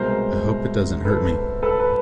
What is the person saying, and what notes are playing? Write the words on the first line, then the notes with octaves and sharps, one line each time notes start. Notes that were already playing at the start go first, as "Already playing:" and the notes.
I hope it doesn’t hurt me.
Already playing: C2 B2 G#3 A#4 C5
A4 B4
A4 B4
B4